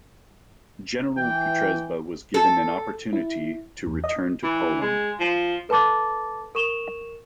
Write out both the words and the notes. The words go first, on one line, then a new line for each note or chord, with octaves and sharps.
General Kutrzeba was given an opportunity to return to Poland.
E3 G5
A4
E4
E2
D#5
E3
G#3
F3
A4 B4 A5 B5 D6 A6
A#4 C#6 E7 F7 G7